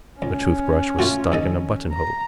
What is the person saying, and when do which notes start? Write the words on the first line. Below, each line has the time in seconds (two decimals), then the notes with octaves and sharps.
A toothbrush was stuck in a buttonhole.
0.22 C#2 C#4
0.99 A3 F4 F#4
1.32 D#2 A4 D#5
1.92 A#5